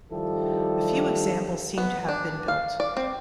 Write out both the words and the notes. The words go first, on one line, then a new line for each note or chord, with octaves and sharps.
A few examples seem to have been built.
D#3 F3 G3 E4 G4 A4
B3
D4
F5
D5
C4